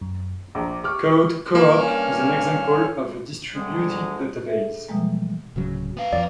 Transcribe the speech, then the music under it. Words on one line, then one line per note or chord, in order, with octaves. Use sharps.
Code Co-op is an example of a distributed database.
F#2
A#1 A#5 D6
G4 C#6 D6 F6
E3 A#3 D#4
G2 C#4 F6
D2 B2 G3 G#3
G#4 A4 E5
B2 E3 F3 G3 G#3 A#3
D1 C#3 F#3
B3 F5
F2 D5